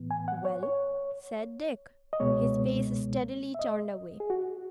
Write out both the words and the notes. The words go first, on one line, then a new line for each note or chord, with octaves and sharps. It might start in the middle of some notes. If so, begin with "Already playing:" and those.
'Well?' said Dick, his face steadily turned away.
Already playing: A2 E3 B3
G#5
F#5
C#5
C#5
D#5
C#2 B2 G#3 B3 C#5
E5
D#5
G#4
F#4